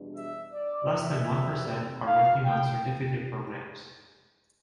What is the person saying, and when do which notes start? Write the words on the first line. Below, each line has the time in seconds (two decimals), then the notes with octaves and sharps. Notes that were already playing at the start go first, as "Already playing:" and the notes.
Less than one percent are working on certificate programs.
Already playing: E2 B2 G3 D4
0.16 E5
0.54 D5
0.92 E5
1.30 E2 B2 G3 C4
2.06 F5
2.44 G5